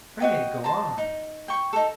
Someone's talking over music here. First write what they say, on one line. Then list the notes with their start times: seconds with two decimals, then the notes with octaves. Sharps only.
Pray go on!
0.20 F#4 D#5 G5
0.64 C5 A5 A#5
0.98 D#4
1.48 G5 C#6
1.73 D#4 A4